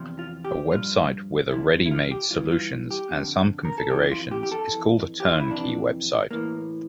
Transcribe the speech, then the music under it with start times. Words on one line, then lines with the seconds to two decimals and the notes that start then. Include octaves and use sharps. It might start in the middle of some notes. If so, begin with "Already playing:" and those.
A website with a ready-made solutions and some configurations is called a turnkey website.
Already playing: E2 C3 F3
0.19 F4
0.45 G4
0.71 G2 F3 F4
1.51 E2 D3 F3 E4
1.86 E4
1.91 F4
2.11 G4
2.31 G2 E3 F4
2.51 F4
2.91 G4
3.11 F2 D3 F3
3.65 A#4
3.78 A4
3.91 F2 E3 G4
4.12 F4
4.31 G4
4.43 G4
4.52 A4
4.71 F2 E3
5.20 G4
5.30 F4
5.40 E4
5.51 F2 C3 E3 D4
6.31 A2 E3 A#3